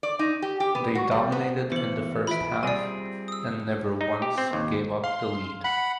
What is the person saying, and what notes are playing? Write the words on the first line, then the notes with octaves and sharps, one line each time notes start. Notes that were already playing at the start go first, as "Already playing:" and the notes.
They dominated in the first half and never once gave up the lead.
D5
D#4
G4
G4
B3
F#4
G3
B3
E3 B3 C5 C#7 F#7
F4 E5 B5 D7
G3 C4 G#4 D5 G#5
D#6 E6
D#4
G4
C4
D#2
F5 C6
F#5 B5